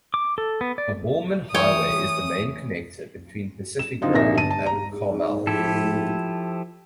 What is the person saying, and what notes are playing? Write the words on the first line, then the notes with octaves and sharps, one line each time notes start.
The Holman Highway is the main connector between Pacific Grove and Carmel.
D6
A4
B3
D5
E3 A3 C#5 G5 D#6
E7
D3 C4 D#4 F4
A#1 A#3 D#4 E5 A#6
G1 D3 A5 D#7
A5
A#5
F3 E4 G4 A4